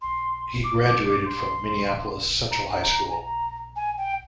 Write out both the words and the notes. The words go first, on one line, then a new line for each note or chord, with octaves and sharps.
He graduated from Minneapolis Central High School.
C6
D6
D6
D6
C6
A#5
A#5
G#5
A#5
G#5
G5